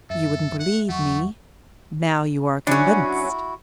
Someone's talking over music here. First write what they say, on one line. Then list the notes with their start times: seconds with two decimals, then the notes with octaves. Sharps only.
You wouldn't believe me; now you are convinced.
0.10 F#2 A4 E5
0.59 F#5
0.89 E2 F#3 A3 F#5 C#6
2.67 F#3 C#4 D4 E4 F#4